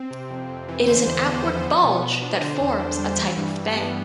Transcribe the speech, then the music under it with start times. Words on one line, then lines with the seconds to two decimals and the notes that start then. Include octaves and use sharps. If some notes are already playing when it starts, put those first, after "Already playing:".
It is an outward bulge that forms a type of bay.
Already playing: C4
0.11 C3
0.30 F2
0.49 F2
0.68 E3
0.88 D3 C5
1.07 E2
1.26 B3
1.45 F3
1.64 B3
1.84 B2
2.03 B2
2.22 D4
2.41 D3 C5
2.60 E2
2.79 D4
2.98 G3
3.18 E3
3.37 G2
3.56 G2
3.75 B3